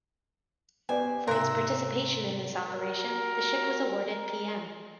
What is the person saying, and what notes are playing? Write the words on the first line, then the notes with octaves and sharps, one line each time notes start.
For its participation in this operation, the ship was awarded pm.
B3 C#4 G4 C5 D5 G#5
G#2 C3 A#4 E5 C6 F#6
F#4 G4 A#4